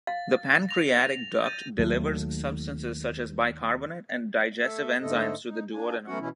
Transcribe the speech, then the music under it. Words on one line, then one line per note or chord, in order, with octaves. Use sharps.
The pancreatic duct delivers substances such as bicarbonate and digestive enzymes to the duodenum.
F5 A6
A#6 F7
G6 A6 D#7
D#2 F#3 A3
A3 A4 E5
G#2 D3 A3 A4 D#5
D#4
A#3 D4 G#5
F#3 A3 B3 C#4 F#4 F#5
B2 E3 C#4 E4